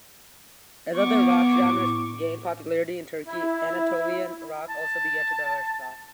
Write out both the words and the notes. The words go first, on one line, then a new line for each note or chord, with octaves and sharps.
As other rock genres gained popularity in Turkey, Anatolian rock also began to diversify.
B3 C#6 D6
A2
E4
A5